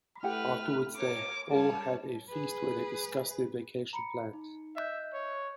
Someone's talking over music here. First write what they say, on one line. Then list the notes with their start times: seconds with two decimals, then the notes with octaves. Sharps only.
Afterwards, they all have a feast where they discuss their vacation plans.
0.23 A3 E4 G4 B4 F#5 F6
0.96 A#4 C#5 D6
1.52 G3 A#4 C#5 A5
2.29 G#4 B4
3.93 A#5 B5 C#7
4.33 D#4
4.76 D#5 E5 F#6 G6
5.13 C#5